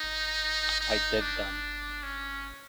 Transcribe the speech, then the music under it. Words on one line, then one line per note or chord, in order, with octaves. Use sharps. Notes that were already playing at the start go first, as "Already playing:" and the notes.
I did them.
Already playing: D#4
D#4
D4
C#4